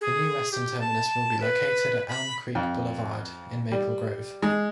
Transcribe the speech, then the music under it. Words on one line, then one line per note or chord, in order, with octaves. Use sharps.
The new western terminus will be located at Elm Creek Boulevard in Maple Grove.
G#4
G4
A5
B4
B5
F2
G3
G#3